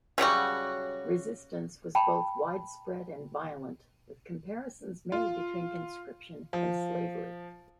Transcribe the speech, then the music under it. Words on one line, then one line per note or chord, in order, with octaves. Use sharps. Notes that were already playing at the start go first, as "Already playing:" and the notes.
Resistance was both widespread and violent, with comparisons made between conscription and slavery.
C#3 F#3 G3 F#4
G5 A5 B5
F4
F3